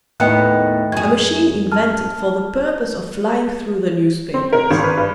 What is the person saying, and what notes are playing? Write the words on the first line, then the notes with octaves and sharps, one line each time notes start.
A machine invented for the purpose of flying through the newspapers.
D#2 A2 B3 D#5 G5 F#6
F#2 G#4 G#6
A5 F6
C4
A#4
G#1
B4
G2